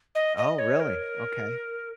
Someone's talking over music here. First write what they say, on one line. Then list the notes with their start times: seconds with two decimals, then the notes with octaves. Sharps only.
Oh, really? Okay.
0.15 D#5
0.37 D#5
0.59 C#5
0.80 A#4